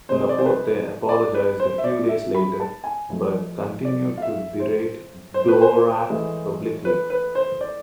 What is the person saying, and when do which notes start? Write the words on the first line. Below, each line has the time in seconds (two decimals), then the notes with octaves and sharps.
Laporte apologized a few days later, but continued to berate Dvorak publicly.
0.09 C3 G#3 C5
0.29 D5
0.39 C5
0.46 B4
1.09 D5
1.35 B4
1.60 C5
1.78 E5
1.84 D5
2.09 E5
2.35 B5
2.60 A5
2.84 G#5
3.10 A2 F3 G#3
3.85 D5
4.18 F5
4.22 E5
4.60 C5
5.34 C5
5.48 B4
5.62 C5
6.10 A2 E3 G#3
6.85 B4
7.10 B4
7.35 C5
7.61 D5